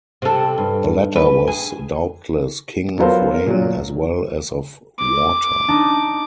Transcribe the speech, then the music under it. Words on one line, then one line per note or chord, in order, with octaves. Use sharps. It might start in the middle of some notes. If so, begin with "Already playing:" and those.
The latter was doubtless king of rain as well as of water.
C3 A4
G2
B4
G#4
F#3 B3 F4 A4 A#4 C5
A#4
A#2 F#3
D6
D4 D#4